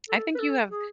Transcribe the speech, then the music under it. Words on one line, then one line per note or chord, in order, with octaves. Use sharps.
I think you have
A4
B4
A4
G#4